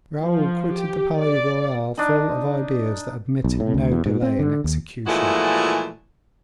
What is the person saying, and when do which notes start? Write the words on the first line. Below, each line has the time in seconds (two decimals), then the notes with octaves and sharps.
Raoul quitted the Palais Royal full of ideas that admitted no delay in execution.
0.22 F3
0.76 G4
1.18 D5
1.97 D4 D#4
3.44 B1
3.60 A2
3.74 D2
3.92 E2
4.06 G#2
4.22 C4
4.39 D3
4.64 D#2
5.07 A#2 E3 F3 G#3 A3 F#4